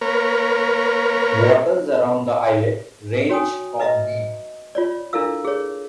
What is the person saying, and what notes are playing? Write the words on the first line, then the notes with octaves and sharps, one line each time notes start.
Waters around the islet range from deep.
A#3 A#4 B4 C#5
F#4 C#5 G5 G#5 D#6
B4 D#5 E5 A#5
F4 C#5 D5
D4 E4 A4 A#4 F5 E6
G#4 C#5